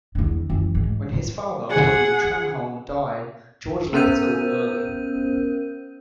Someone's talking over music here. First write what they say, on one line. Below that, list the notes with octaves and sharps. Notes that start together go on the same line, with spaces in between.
When his father, William Trenholm, died, George left school early.
E2 D3
F#2 E3
G#2
G#4 F#5
B3 C#4 A#4 C5 G6 D#7